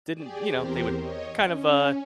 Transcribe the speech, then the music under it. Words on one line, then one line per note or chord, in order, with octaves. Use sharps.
didn't, you know, they would kind of, uh,
G4 G#4 D5
E2 C4 G4 A#4 C5
C#5 D#5
C#4